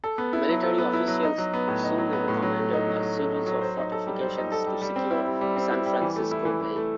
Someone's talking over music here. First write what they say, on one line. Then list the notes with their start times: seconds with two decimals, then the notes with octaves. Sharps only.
Military officials soon recommended a series of fortifications to secure San Francisco Bay.
0.04 A4
0.18 B3
0.33 E4
0.49 F#3
0.63 A4
0.78 B3
0.93 E4
1.08 F#3
1.23 D#4
1.38 F#3
1.53 B3
1.68 A2
1.83 D#4
1.98 F#3
2.13 B3
2.28 A2
2.42 F#3
2.58 A3
2.73 D#4
2.87 F#3
3.02 F#3
3.17 A3
3.33 D#4
3.46 F#3
3.61 C5
3.77 D#4
3.92 A4
4.07 G3
4.21 C5
4.37 D#4
4.52 A4
4.67 G3
4.82 G3
4.96 C4
5.11 E4
5.27 G3
5.41 G3
5.56 C4
5.71 E4
5.86 G3
6.01 E3
6.16 A3
6.31 E4
6.45 E3
6.61 E3
6.76 A3